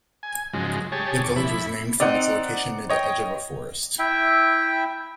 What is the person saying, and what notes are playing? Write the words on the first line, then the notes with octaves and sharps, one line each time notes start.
The village was named from its location near the edge of a forest.
G#5
G#2 C#3 F3 F#3 G#3
G4 G#4 C#5 A5
D#2 C#6 D6
F2 E4 B5
C4 D#4 D5 F#5
C#5 D#5 G5
E4 E5 G5